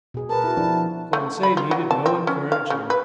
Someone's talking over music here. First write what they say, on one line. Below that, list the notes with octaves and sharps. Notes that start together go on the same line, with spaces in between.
Conseil needed no encouraging.
B2 G#4
A#4 B4 A5
E4 F#4
F3 D4 E4
A3
B5
F4
F#3
A5
C4
C#4
F5
C#3
B4